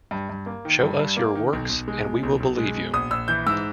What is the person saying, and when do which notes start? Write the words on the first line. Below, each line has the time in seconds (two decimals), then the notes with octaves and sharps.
Show us your works and we will believe you!
0.11 G2
0.29 G2
0.46 A#3
0.65 D#3
0.81 G2
0.99 G2
1.17 A#3
1.35 D#3
1.53 B1
1.69 B1
1.88 G#3
2.05 B2
2.23 B1
2.40 B1
2.58 G#3
2.75 B2
2.93 A#1 D#6
3.11 A#1 E6
3.28 E3 G6
3.47 G#2 E6